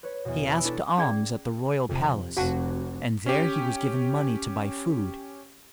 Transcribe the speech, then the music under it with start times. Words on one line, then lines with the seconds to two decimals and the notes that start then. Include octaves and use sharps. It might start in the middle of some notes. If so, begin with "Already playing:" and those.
He asked alms at the royal palace and there he was given money to buy food.
0.03 B4 C#5
0.25 E2 B2
0.50 B5 C#6 D#6 E6 D7
0.65 D4 E4 A4 B4
0.97 C#4 G#4 D5
1.89 F2 C3
2.37 F1 F#4 F5 F#5 A5
3.26 C#4 G4